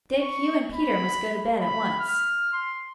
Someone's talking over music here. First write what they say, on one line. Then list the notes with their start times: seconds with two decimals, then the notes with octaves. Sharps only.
Dick, you and Peter must go to bed at once.'
0.21 C#6
0.74 B5
1.62 B5
1.99 F6
2.52 C6